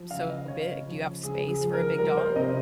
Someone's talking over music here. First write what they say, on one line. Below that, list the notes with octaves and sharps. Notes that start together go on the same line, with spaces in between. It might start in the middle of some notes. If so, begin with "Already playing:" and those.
so big? Do you have space for a big dog?
Already playing: F3
C#3 F5
D#5
C#3 C#5
F3
C#3 G#4
G#4
F3
A#4
G3 A#4
C5
C3 D#5